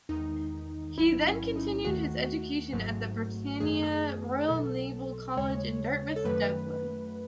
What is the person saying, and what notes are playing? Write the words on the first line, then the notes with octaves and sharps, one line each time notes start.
He then continued his education at the Britannia Royal Naval College in Dartmouth, Devon.
E2 D#3 G#3 D#4
A1 G#2 F#3 E4
C#4
D#4
D#2 D#3 A3 F#4
G#1 G#2 F#3 A3
F#2 D#3 A3 G#4
B1 B2 F#3 A4
D#2 C#3 G#3 C#5
A4
F#2 D#3 F#3 A3 B4